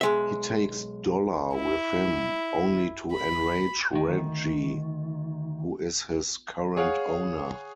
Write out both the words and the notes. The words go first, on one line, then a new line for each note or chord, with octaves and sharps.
He takes Dollar with him, only to enrage Reggie, who is his current owner.
B1 G#3 E5
E4
B5
D2 D#3
G#4 C#5 F5 F#5